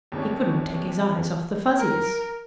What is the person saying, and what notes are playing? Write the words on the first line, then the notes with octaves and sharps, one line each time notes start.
He couldn't take his eyes off the Fuzzies.
D#2 C3 G3 C#4
A#4